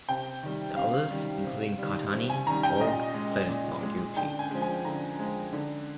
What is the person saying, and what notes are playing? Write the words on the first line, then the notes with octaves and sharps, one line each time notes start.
The others, including Kaitani, all pleaded not guilty.
C3 G5
D#3 G3
C3 F5
D#3 G3
C3
D#3 G3
C3
G#5
D#3 G3 A#5
G5
A#2 D#5
G#3
A#2
G#3
D3 G5
G#5
F3 G#3
G#5
D3 A#5
F3 G#3
D3